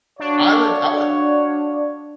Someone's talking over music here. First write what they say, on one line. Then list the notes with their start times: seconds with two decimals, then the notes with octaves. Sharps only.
I would I would
0.20 D4 F#4 C#5 F5